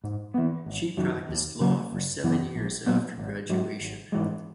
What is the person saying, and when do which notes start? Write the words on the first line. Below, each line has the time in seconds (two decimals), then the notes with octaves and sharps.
She practiced law for seven years after graduation.
0.04 G#2
0.34 E3 B3
0.66 G#1
0.97 F#2 D#3 F#3
1.29 D#2
1.60 C#3 F#3 A#3
1.92 F#1
2.24 F#2 E3 B3
2.56 A#1
2.86 A#2 F#3 B3
3.18 G#1
3.49 G#2 F#3
3.81 G#1
4.12 G#2 E3 G#3